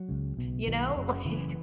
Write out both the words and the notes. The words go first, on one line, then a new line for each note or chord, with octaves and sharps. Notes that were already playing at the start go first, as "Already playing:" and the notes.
You know, like
Already playing: F#3
C#2 C#3
B1 B2
B1 B2 D#3
F#1 F#2 C#3
F#1 F#2 C#3 E3